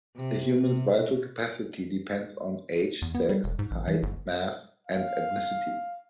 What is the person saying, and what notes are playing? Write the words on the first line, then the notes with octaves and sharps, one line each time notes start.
A human's vital capacity depends on age, sex, height, mass, and ethnicity.
C3
C3
B2
E2
B3
G3
E1
G#2
A1
E3
G1
F5